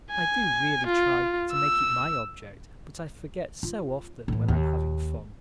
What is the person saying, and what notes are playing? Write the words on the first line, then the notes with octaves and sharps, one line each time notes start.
I do really try to make it my object but I forget so often when I'm having fun.
G#5
F4
E6
F4
A2 E3
D#2